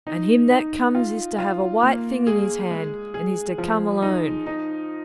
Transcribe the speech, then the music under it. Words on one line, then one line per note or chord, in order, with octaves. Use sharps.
And him that comes is to have a white thing in his hand, and he's to come alone.
D#4
D#4
F4
F4
A#3
G#4
G#3
G#4
F3
D#4
D#4